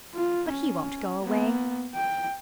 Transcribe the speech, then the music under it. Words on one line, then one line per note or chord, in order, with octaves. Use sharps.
But he won't go away.
F4
C#4
A#3 B3
G5